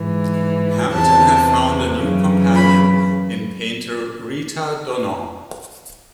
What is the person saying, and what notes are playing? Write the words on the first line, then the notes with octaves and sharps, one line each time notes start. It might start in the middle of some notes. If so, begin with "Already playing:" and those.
Hamilton had found a new companion in painter Rita Donagh.
Already playing: G#2 E3
E2 C3 E3 A5
F#2 C#3 E3
B5